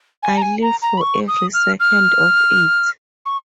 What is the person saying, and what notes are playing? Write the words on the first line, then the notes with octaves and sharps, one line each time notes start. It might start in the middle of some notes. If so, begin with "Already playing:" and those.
I live for every second of it!
G#5
A#5
G#5
A#5
A#5
B5
C#6
D#6
F6
F6
C#6